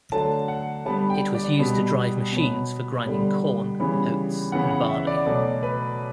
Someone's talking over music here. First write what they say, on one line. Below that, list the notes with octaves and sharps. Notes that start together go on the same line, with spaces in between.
It was used to drive machines for grinding corn, oats and barley.
D3 F#3 A3 A5
F#5
D3 G3 B3 A5
G5
D5
B2 G3 B3
B2 F#3 B3
D3 G3 B3
C#3 E3 G3 B3
C#3 E3 B3 F#5
F#5
E5
D5
B2 F#3 A3 D5
B4